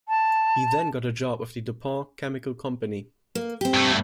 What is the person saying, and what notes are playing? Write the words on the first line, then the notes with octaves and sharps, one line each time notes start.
He then got a job with the DuPont chemical company.
A5
A#3
C4 G4
G2 A3